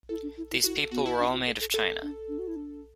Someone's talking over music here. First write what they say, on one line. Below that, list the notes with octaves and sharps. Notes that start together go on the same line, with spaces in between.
These people were all made of china.
E4 A4
D4
E4
E4
E4 F#4
A4
B3 F#4
E4
D4
F#4
A4
A4
A4
D4
D4
F#4
E4
D4